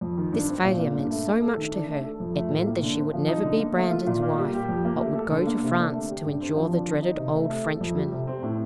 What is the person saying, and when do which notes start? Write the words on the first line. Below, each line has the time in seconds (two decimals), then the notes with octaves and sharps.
This failure meant so much to her; it meant that she would never be Brandon's wife, but would go to France to endure the dreaded old Frenchman.
0.01 F2
0.17 D#3
0.32 G2
0.48 C4
0.63 A#2
0.79 A#3
0.94 G2
1.10 A3
1.26 A3
1.42 A4
1.57 D#3
1.73 D4
1.88 A3
2.04 A4
2.20 F2
2.35 A3
2.51 A2
2.66 A#3
2.82 D3
2.98 C4
3.13 F3
3.28 D#4
3.44 D3
3.59 A#3
3.75 A3
3.91 F4
4.07 A#2
4.22 A#3
4.38 G3
4.54 G4
4.69 F2
4.85 A#3
5.00 A3
5.16 A4
5.31 D3
5.46 A#3
5.62 C3
5.78 D4
5.93 A3
6.10 G4
6.25 G2
6.41 C4
6.56 F3
6.72 D4
6.87 D#3
7.02 D#4
7.18 C3
7.34 A3
7.49 A3
7.65 A4
7.81 F2
7.97 G3
8.12 C3
8.27 C4
8.43 A2